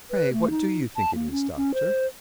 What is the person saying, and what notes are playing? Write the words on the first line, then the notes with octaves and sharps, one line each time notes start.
"Pray, what do you think it is, doctor?"
B4
A3
D#4
A5
A#3
C#4
C#4
C5